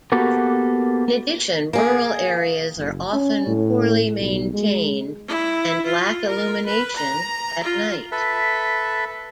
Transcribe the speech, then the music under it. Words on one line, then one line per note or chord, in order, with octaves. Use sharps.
In addition, rural areas are often poorly maintained and lack illumination at night.
A#3 B3 F#4 G4 A4
A#3 G#4
F#1
C#4
A2
B1
G#3
E4
F4
A#4
B4
A#5
F4
A4 B4 E5